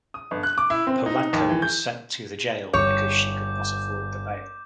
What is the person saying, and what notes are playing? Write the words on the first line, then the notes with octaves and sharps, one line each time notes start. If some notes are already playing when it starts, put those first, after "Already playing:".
Polanco was sent to the jail because she could not afford the bail.
D#6
G1
F#6
D6
E4
C4
D#4
D#2
E3
G6
G1 C#5 D6 G6